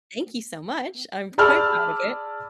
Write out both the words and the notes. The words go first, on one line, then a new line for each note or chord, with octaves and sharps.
thank you so much, I'm quite proud of it.
G#4 D5 A5 B5 E6 F6